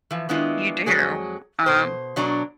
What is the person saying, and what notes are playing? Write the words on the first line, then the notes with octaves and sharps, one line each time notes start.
You do, um
E3 F3
D#3 G#3 B3 D4 E4 F4
F2 F#3 G#3 G#4
B2 C5
B2 F#3 D4 D5 A#5